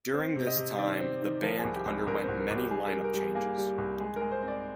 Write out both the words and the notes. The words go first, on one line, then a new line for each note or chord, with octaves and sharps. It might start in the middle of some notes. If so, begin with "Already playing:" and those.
During this time the band underwent many line-up changes.
C4
C3
D#5
C3
D#3 D5
C4
D#3
F3 A#4
G#4
C2
G4
C2
C2 A#4
C5
C2
A#4
C2
G4
G3 G#4
A#4
G3
A#4
G3
G#4
A#3 G#4
G3
C2
G#3 G#4
G#3 A#4
C5
C4
D5